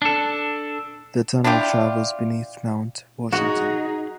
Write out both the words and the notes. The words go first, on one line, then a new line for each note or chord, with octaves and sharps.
The tunnel travels beneath Mount Washington.
D4 A4
D4 E4 F4 G4
D#4 F#4 G#4